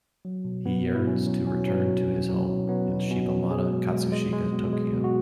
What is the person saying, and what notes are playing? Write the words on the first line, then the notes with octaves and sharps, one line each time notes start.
He yearns to return to his home in Shibamata, Katsushika, Tokyo.
F#3
B2
B2 B3
B2
E4
F#3 C#4
F#3
B2 C#4
F#3
B2 C#4
F#3
F#3
B2
F#3 B3
B2
B2 C#4
F#3
B2 G#4
G#3
G#3
G#3
G#3
B2
G#3
B2
F#4